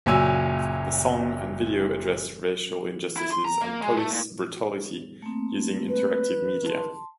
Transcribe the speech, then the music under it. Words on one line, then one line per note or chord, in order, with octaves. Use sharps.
The song and video addressed racial injustices and police brutality using interactive media.
F#1 A#2 F#3 G#5 E6
E4
C6
A#5
A#3
G#3
A3
A#2
A3 A#3 C4
B4
A5 C6